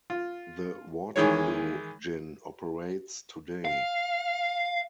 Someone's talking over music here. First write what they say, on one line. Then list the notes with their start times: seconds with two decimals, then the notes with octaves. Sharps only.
The Waterloo Gin operates today.
0.10 F4
1.16 D#3 E3 G#3 C#5
3.65 F5